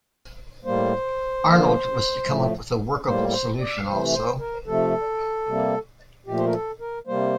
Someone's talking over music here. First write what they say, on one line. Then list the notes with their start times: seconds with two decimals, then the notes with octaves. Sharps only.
Arnold was to come up with a workable solution, also.
0.65 A2 G3 A#3 C5
1.45 D3 F3 A#3
2.25 A2 F3 A3
3.05 A2 G3 A#3 C5
3.32 C5
3.59 D5
3.86 C3 E3 A3 C5
4.13 C5
4.39 A#4
4.66 C3 F3 A3 A4
5.46 C3 G3 A#3
6.26 A#2 F3 A3 G4
6.38 C5
6.45 A#4
6.53 A4
6.80 A#4
7.07 C3 G3 A#3 C5